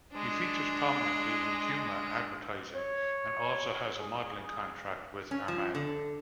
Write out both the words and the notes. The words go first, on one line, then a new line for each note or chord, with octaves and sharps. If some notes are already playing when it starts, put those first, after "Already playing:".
He features prominently in Puma advertising and also has a modeling contract with Armani.
G#3 D4
C#5
G#4
C#4
F3
D3